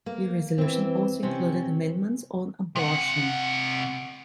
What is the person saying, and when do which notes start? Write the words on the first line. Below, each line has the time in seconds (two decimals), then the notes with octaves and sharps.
The resolution also included amendments on abortion.
0.06 A#3
0.58 E3 C4
1.23 C3 C4 C#4
2.76 C3 F#5